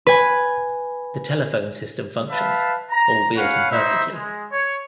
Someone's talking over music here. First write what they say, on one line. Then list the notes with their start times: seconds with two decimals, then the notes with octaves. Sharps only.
The telephone system functions, albeit imperfectly.
0.07 B4 G#5
2.30 B4 E5 F5 A5
2.91 A#5
3.36 C#4 B4 F5 F#5
3.70 D#4 E4 C5 E5
4.12 G#3
4.52 C#5